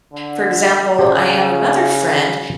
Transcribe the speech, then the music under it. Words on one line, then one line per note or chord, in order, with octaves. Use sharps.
For example, I have another friend
D3
C#3 G4 C5 D5